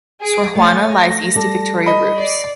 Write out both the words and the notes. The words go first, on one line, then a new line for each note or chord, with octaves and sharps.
Sor Juana lies east of Victoria Rupes.
G#4 D7
A3 C#5 G#5 A6
A#6
G3 A4
D#5 B5
D5 C7